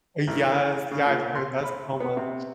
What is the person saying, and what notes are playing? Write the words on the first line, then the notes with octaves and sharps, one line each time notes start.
Eh, yes, yeah, I've heard that so much.
A1
C#4
C#3
A#2
C6
B5
B3
C3